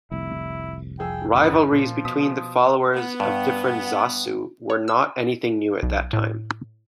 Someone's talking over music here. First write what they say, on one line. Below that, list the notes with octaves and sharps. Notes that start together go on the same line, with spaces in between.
Rivalres between the followers of different "zasu" were not anything new at that time.
F1 C2 E4
F2 G#4 G5 E6
G1 E2 B3
A#2 F3
B2 D#6 B6
B3
G2
C#5
E6
B1
A2